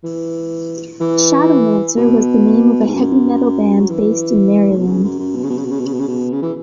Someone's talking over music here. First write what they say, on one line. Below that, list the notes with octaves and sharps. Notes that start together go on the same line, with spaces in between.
Shadowmancer was the name of a heavy metal band based in Maryland.
E3
E3
B2
G#2
F#2
F#3
E3
G#2
B2
C#3
F#2
F#2
B2
C#3
B2
C#3
B2
C#3
B2
C#3
B2
C#3
B2
C#3
E3